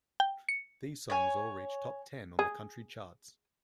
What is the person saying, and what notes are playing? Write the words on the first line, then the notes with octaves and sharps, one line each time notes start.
These songs all reached Top Ten on the country charts.
G5
C#7
C#5 G#5
G#4